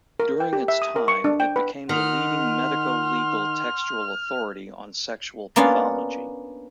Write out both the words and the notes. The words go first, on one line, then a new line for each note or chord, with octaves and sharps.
During its time, it became the leading medico-legal textual authority on sexual pathology.
A#4
G5
G4
E5
D#6
A#4
C#6
D4
G5
B4
D#3 F#5 C6 F6
A#3 B3 C#4 D4 F4